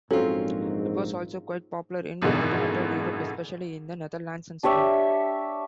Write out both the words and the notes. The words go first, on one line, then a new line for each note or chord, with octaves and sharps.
It was also quite popular in continental Europe, especially in the Netherlands and Spain.
A#1 G#2 F#3 C4 C#4 F4 A4
G#1 F#2 B2 D3 E3 G#3
D4 G4 C#5 E5